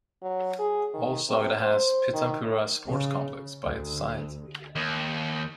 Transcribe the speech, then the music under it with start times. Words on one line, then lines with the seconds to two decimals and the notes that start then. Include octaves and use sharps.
Also it has Pitampura Sports Complex by its side.
0.22 F#3
0.59 G#4
0.94 D#3
1.29 C3
1.62 C5
2.14 D#3
2.87 C#3
3.66 D2
4.76 D#2